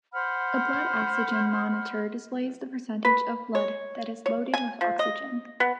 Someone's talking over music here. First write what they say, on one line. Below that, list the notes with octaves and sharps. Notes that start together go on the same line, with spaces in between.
A blood-oxygen monitor displays the percentage of blood that is loaded with oxygen.
C5 F#5 B5 F6
B4
C#5
C#5
G#5
F3
D#5
B3